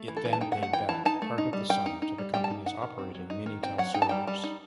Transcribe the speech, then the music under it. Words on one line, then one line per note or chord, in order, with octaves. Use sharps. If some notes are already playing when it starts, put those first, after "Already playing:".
It then paid back part of the sum to the companies operating Minitel servers.
Already playing: A3
E3
A4
E3 B4
A5
D#4 G5
F#5
A3
F#5
E3 G5
E3 A5
D#4 A5
A3
D#4
G3
G3 G5
D#4
D#4
G3
G3 G5
A5
D#4
D#4 F#5
D#3
C4
F#3
D#4
D#3
C4 G5
F#3 F#5
D#4 G5
A5
G3 G5
G3
D#4